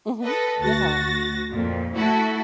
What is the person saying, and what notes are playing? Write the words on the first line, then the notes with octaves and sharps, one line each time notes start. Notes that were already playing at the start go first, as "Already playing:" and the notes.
Mhm. Yeah.
A4 B4 D#5
D2 F#4 A6 A#6
F2 A#2
A3 E4 F#4 A4